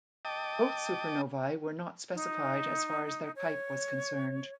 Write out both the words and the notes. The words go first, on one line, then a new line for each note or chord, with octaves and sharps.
Both supernovae were not specified as far as their type was concerned.
D#5 G5 A5 D6 D#6
D#4
C#5